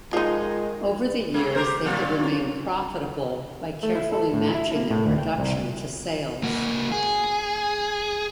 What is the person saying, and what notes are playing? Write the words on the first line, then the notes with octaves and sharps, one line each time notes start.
Over the years they had remained profitable by carefully matching their production to sales.
D#3 F3 G#3 D#4 F4
G#3
G4 A#4 C5
A#2 F#3 F4
C#4
A3
E4
A4
A2
E4
A#3
A2
D2
G5
C2
A#3 F#4
G#4